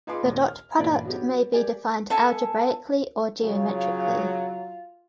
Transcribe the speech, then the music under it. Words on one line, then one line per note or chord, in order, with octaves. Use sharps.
The dot product may be defined algebraically or geometrically.
D#4 F4 G#4 B4 C6 D6
A#1 D#2
F6
G2 A#2 E3 B4 D5
F#3 B3 G4
G4 D5 G#5
A4 E5 G#5 A5
C#3 F#3 F4